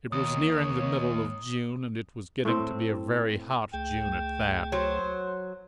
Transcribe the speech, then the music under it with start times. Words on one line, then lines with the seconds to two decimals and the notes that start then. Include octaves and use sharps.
It was nearing the middle of June, and it was getting to be a very hot June at that.
0.12 D#2 C#5 D#6
2.45 A2 C4
3.74 C#2 A3 G#4 G5
4.72 F#3 C5